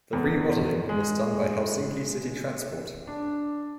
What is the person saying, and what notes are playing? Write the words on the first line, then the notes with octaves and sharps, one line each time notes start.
The remodelling was done by Helsinki City Transport.
E2
G#3
D4